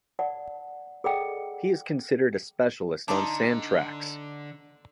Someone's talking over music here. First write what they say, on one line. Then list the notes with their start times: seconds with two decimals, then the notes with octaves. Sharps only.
He is considered a specialist on sand tracks.
0.19 D5 F#5 A5
1.04 G#4 A4 D5 D#5 F#5 G5
3.08 D3 D4 D#4 A5 A#5 C6